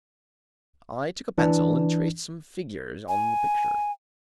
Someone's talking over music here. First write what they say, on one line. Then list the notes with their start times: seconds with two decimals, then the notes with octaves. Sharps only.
I took a pencil and traced some figures on the picture.
1.38 E3 D4
3.08 G#5